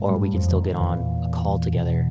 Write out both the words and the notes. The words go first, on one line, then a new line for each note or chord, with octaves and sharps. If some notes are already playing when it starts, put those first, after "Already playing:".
or we can still get on a call together,
Already playing: A2
G2 G3
F2 F3
D3
D#3
E2 A#2 E3
B2